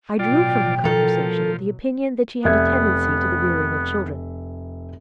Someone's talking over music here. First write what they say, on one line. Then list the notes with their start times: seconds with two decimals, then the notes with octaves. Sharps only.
I drew from her conversation the opinion that she had a tendency to the rearing of children.
0.19 A1 B2 F#3 F4 D5 G5
0.84 F3 A4 A#4
2.44 F1 B3 E5 G#6